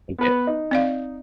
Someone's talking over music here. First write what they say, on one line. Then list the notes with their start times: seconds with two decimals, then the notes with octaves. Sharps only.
And get
0.19 B3 B4
0.47 D#4
0.71 C4 D5 F5